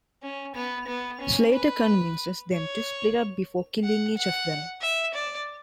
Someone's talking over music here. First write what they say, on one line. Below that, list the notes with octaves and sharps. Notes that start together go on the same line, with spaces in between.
Slater convinces them to split up before killing each of them.
C#4
B3
B3
C#4
B4
C#5
F#5
F#5
E5
D5